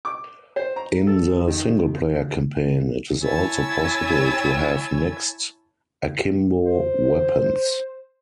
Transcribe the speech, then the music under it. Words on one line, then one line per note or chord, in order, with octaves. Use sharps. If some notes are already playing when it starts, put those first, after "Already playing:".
In the single player campaign, it is also possible to have mixed akimbo weapons.
D6
C5
A#5
A4
D#3
E4 C#5 G#5 A5 E6 G#6
C5